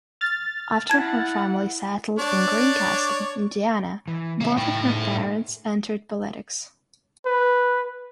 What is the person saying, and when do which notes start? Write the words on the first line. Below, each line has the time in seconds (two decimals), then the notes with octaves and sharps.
After her family settled in Greencastle, Indiana, both of her parents entered politics.
0.21 F6 A6
0.90 E4 F#5 A5 G#6
2.19 D4 C#5 D5
4.08 E3
4.41 C#3 A#3 E5
4.57 A2 A3 D#4 E4 G5
4.88 A3 D#4 G#4
7.26 B4